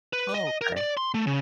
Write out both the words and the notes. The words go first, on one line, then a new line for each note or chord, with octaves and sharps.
Oh, okay.
B4
D#5
A#4
D5
C6
A3
C#3